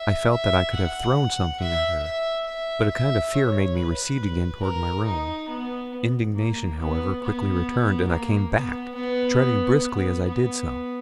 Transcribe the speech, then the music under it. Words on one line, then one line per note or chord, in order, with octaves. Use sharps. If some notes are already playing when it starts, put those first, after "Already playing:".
I felt that I could have thrown something at her; but a kind of fear made me recede again toward my room. Indignation, however, quickly returned, and I came back, treading briskly as I did so.
Already playing: E5
E5
F#5
E5
E5
E5
E5
C#5
B4
A#4
D#4
B3
A#3
B3
B3
A#3
B3
B3
B3
B3